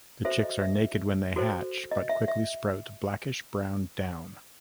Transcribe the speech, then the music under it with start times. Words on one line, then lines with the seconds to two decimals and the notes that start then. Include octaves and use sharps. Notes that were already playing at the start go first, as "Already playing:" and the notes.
The chicks are naked when they hatch but quickly sprout blackish-brown down.
0.25 F#4 A4 C5 E5
0.43 D#5
0.62 E5
1.36 F#4 A4 C5
1.91 D#5
2.09 E5
2.28 E5